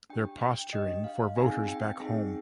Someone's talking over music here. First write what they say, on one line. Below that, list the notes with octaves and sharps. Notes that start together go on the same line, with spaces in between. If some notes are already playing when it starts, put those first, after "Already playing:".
They're posturing for voters back home.
D4 G4 G5
G5
D4 G4 D#5
F5
C4 D#4 G#4 G#5
G5
C4 D#4 G#4